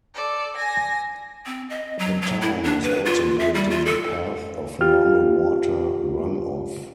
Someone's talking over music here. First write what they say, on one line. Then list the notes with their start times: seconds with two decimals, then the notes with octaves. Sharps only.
The town was also built in the path of normal water runoff.
0.14 A4 D5
0.56 G#5 A#6
1.46 C4
1.70 D#5
1.99 F#3
2.22 F#3
2.41 E4
2.64 D4
2.83 B4
3.06 F4
3.40 E5
3.55 G3
3.70 F4
3.86 A4
4.81 F4 G4 F6